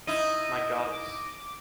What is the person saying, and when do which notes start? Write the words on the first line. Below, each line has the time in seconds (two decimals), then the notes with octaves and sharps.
My goddess.
0.07 D#4 E4 D#5
0.91 D6